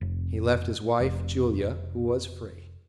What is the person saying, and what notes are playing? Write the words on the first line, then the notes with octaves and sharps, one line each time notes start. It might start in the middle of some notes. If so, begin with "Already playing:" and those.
He left his wife, Julia, who was free.
F1
F1